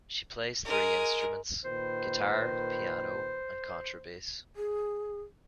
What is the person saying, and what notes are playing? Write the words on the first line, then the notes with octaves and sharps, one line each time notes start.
She plays three instruments; guitar, piano and contrabass.
G#3 A#4
A#2 D#3 B4 C5
G#4